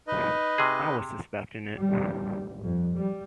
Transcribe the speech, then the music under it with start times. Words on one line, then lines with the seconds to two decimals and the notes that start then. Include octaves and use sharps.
I was suspecting it!
0.07 D#4 B4 D#5
0.58 C3 G#4
1.76 G3
2.62 F2
2.95 G3